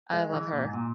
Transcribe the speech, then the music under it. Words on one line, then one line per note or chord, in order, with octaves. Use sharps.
I love her.
G#3
E3
A#2
G#2
A#2